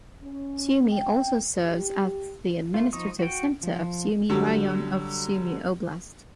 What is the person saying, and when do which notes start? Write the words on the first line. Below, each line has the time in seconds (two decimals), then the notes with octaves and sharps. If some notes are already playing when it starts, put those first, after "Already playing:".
Sumy also serves as the administrative center of Sumy Raion of Sumy oblast.
0.22 C#4
0.90 G5
1.65 G4
2.74 A3 F4
2.93 F3 D#4 C#6 D#6
3.19 F#4 G5
3.63 F3
4.30 D3 F#3 G3